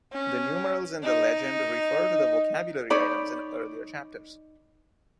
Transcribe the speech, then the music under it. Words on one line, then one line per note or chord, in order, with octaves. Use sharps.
The numerals in the legend refer to the vocabulary items in earlier chapters.
C#4
D#4
D#4 C#5 D5 B5